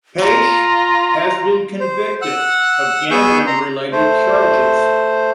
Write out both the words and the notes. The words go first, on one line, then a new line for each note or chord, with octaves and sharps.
Paetsch has been convicted of gambling-related charges.
F4 A#5
C5
F#5 E6 F#6
B3 G#4 G#5 C#6 E6 G6
A#5 C6
A3 C5